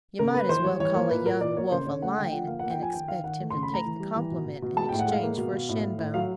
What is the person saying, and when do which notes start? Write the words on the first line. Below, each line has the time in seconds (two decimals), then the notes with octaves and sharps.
You might as well call a young wolf a lion and expect him to take the compliment in exchange for a shin-bone.
0.19 C#3 A#4
0.34 A#3 B4
0.49 E3 C5
0.64 G3 C#5
0.79 E3 C#5
0.95 A#3 C#5
1.10 A#2 B4
1.26 A#2 A#4
1.41 A#2 D5
1.57 A#3 C#5
1.71 C#3 C5
1.86 C#3 C#5
2.02 A3 F#5
2.18 D3 G5
2.32 F3 F#5
2.47 A#3 F5
2.59 A#3 F#5
2.70 G5
2.78 F3 G#5
2.94 D#3 G5
3.08 D#3 F5
3.24 D#3 F#5
3.39 A3
3.50 C#3 C6
3.63 B5
3.70 A3 A#5
3.86 E3
4.00 G3
4.16 E3
4.31 B2
4.46 B2
4.62 B2
4.76 G#3 A5
4.89 A2 G5
4.99 F#5
5.08 G#3 F5
5.23 A#3
5.37 B2
5.53 B2
5.69 A2
5.83 A2
5.98 A2
6.14 F#3 F5